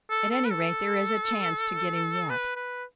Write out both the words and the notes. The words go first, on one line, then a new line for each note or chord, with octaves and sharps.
At any rate, there is a chance to get him yet.
A4
A4
B4
A4
B4
B4